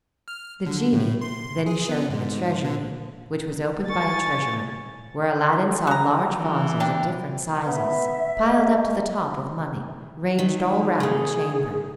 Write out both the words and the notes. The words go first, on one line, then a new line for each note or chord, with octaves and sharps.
The genie then showed him the treasury, which was opened by a treasurer, where Aladdin saw large vases of different sizes, piled up to the top with money, ranged all round the chamber.
F6
D3
A2
C6
G#4
B3
G#2
D3
G#5 C#6 A6
F#4 A#5
E3
C4 D4 G5
B3 E5
G#3
D#3 E3
D#3 A3 G#4